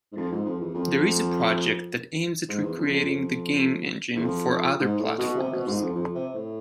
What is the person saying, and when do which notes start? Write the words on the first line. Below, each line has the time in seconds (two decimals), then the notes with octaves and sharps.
There is a project that aims at recreating the game engine for other platforms.
0.12 G#2
0.17 F2
0.31 G#2
0.46 F2
0.60 E2
0.75 F2
2.49 G#2
2.62 E2
2.78 F2
2.92 F2
3.06 F2
4.16 E2
4.22 F2
4.80 G#2
4.99 A2
5.18 B2
5.38 C3
5.52 B2
5.66 G#2
5.81 F2
5.95 F2
6.15 C3
6.34 A2